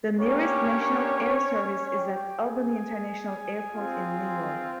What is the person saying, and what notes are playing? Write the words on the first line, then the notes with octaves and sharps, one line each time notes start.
The nearest national air service is at Albany International Airport in New York.
A#3 C#4 D4 G4 C#5
G4 G5
G#4 G#5
C4 F4